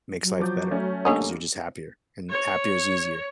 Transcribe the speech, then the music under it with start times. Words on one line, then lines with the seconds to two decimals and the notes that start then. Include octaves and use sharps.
makes life better because you're just happier and happier is easier.
0.23 F#3
0.40 F3 D6 G6
0.71 A3 C#4
1.05 D3 G3 A3 A#3 C#4 D#5
2.30 C#5